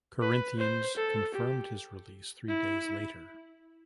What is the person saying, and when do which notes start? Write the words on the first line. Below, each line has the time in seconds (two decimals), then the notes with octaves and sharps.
Corinthians confirmed his release three days later.
0.21 B4
0.58 C5
0.97 A4
1.34 G4
2.48 E4